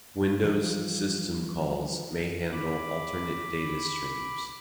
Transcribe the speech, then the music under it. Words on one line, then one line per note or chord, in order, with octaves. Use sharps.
Windows system calls may handle alternate data streams.
E3 F3 G3
B5 D6